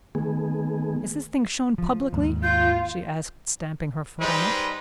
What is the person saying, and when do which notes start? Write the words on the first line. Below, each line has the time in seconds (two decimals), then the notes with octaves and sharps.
"Is this thing shown publicly?" she asked, stamping her foot on it.
0.15 D#3 A3 B3 G#4
1.78 F3
2.13 D#2 G#2
2.43 F4 G6
4.20 G3 G#3 D#4 B4 C5